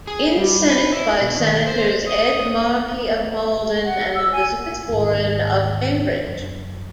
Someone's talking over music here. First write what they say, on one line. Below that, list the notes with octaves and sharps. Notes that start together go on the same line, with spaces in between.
In the Senate by Senators Ed Markey of Malden and Elizabeth Warren of Cambridge.
G#4
G3
B4
E4
B2
D#3
C5
D#6
F#5
E6
G#5
D#2 G#2
F#2